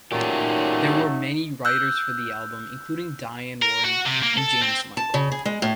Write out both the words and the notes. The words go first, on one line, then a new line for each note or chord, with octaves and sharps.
There were many writers for the album including Diane Warren and James Michael.
A#2 F#3 A3 C#4 D#4 G4
E6 F#6 G6
A#4
F#4
C3
A#3
A4
C4
A5
C#3
G#4
G#3
A2